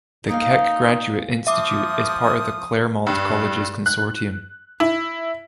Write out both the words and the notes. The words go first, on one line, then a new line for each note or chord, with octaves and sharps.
The Keck Graduate Institute is part of the Claremont Colleges consortium.
A#3 C#4 D#4 F5
F3 E5 D6 D#6
G2
F#6
E4